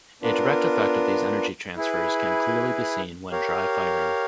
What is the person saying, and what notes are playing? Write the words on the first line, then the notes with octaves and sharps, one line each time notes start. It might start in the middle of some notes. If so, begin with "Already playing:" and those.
A direct effect of these energy transfers can clearly be seen when dry firing.
B3 D4 F4 A#4
E4 G#4 B4
G4 A#4 C#5 F5